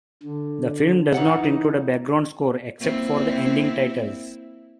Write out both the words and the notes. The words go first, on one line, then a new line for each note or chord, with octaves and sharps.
The film does not include a background score, except for the ending titles.
D3
E3 D#4 F#5
A#3 C4 E4